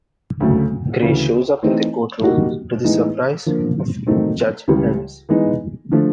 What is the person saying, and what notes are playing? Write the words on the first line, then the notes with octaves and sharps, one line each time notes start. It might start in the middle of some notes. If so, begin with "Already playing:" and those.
Gray shows up in the courtroom, to the surprise of Judge Helms.
D2 C#3 F#3 A3
D2 C#3 E3
E3 A3 C4 D#4
D#3 G3 A#3 D#4 F#4
A2 E3 G#3 B3 D#4
D3 F3 A#3
D#3 F#3 A3 C4 D#4
C#2 C#3 E3 G3
E3 G#3 B3 D#4
D3 F3 A3